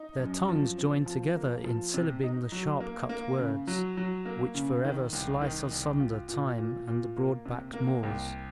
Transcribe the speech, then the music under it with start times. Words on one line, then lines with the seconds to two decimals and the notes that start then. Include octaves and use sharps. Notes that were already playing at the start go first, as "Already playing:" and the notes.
Their tongues join together in syllabling the sharp-cut words, which for ever slice asunder time and the broad-backed moors.
Already playing: D#4
0.20 F#2
0.49 F3
0.78 C4
1.06 F3
1.35 A#3
1.64 F3
1.94 C3
2.23 D#4
2.52 F#3
2.80 A#3
3.09 A#3
3.39 C#3
3.67 F#3
3.97 F#3
4.25 A#3
4.54 C#3
4.84 D#3
5.13 C2
5.41 D#3
5.71 C2
6.00 F4
6.29 A#2
6.58 A#2
6.87 A#2
7.16 A#3
7.46 C3
7.73 A#3
8.03 C2